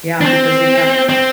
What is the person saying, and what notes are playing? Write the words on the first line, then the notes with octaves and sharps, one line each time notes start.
Yeah, because they kept
D4
C4
C4